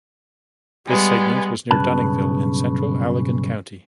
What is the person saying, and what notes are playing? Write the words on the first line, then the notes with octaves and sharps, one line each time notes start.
This segment was near Dunningville in central Allegan County.
G3 G#3 B3
B1 G2 C#3 B4 A5